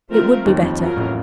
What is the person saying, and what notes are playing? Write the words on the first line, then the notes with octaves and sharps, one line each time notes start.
It would be better.
F3 A3 C4 F4 A#4
D#2 D#3
F2 F3
F2 F3 F#3 A#3 F4 A#4
A1 A2